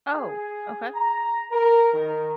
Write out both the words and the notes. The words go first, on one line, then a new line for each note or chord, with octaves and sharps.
Oh, okay.
G#4
A#5
A#4
D#3